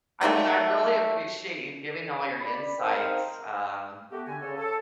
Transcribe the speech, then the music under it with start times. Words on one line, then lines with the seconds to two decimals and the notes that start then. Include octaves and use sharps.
I mean I really appreciate you giving all your insights, um,
0.21 F#3 A3 A#3 D#4
2.39 D5 B5
2.79 C4 D#4 A#4 C5 F5 G5
4.11 A3 B3 F#4 G4
4.27 D3 G#5
4.40 C#3 G4 A4 C#5
4.56 A4